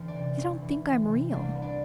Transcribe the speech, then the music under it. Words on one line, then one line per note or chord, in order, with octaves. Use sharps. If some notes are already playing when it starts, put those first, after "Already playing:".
They don't think I'm real.
Already playing: E1 D2 E3
D4 D5
C3
E1
E3
D2
C3
C2 D4 D5
B3
D4 D5